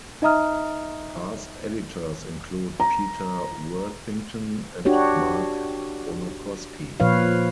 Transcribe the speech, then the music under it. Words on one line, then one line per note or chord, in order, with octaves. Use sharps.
Past editors include Peter Worthington and Mark Bonokoski.
D#4 D#5 E5 A#5 D#6 F6
A#5
D4 F#4 G4 C#5
A#2 F3 B4 C#5 F5